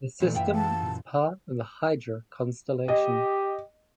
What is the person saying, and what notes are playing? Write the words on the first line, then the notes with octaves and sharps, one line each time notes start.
The system is part of the Hydra constellation.
E2 A#2 E3 A3
F#2 E4 F4 G4 E5
A5
A#2
G4 D#5